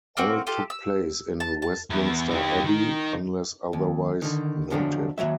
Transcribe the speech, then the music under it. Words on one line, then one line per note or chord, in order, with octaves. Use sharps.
All took place in Westminster Abbey unless otherwise noted.
A#3 C4 F#4
F4 G4 A4
E6
A5
A5
E2 E4
D#4 G4
D#3 D#4
D#2
D3 D#3
E2 D3 F3 F#3 D4
D#2 F3 F#3 E5